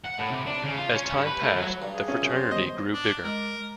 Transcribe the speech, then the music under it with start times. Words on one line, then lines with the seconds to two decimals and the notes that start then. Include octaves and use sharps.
As time passed the fraternity grew bigger.
0.05 F#5
0.19 A2
0.32 C3
0.47 D4
0.64 C#3
0.76 F4
0.93 C#4
1.13 G2
1.25 B4
1.42 A3
1.56 F#3
1.82 G2 D5 F#5 A#5
1.94 G#4
2.08 C#4 F4 E5
2.22 F#2 C3
2.36 G4 C5 G6
2.51 D#3 G3 B3 D#5
2.94 D4
3.23 G#3 A#4